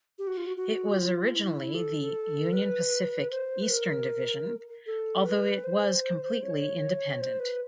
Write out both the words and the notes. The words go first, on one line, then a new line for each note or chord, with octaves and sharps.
It was originally the "Union Pacific, Eastern Division", although it was completely independent.
G4
F#4
F4
F#4
F#4
F4
E4
A4
B4
C5
B4
A#4
A4
B4
C5
C#5
C5
B4